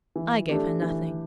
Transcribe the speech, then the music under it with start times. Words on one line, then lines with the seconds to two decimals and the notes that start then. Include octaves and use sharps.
'I gave her nothing.
0.16 E3
0.49 A3 D4 G4
0.83 E3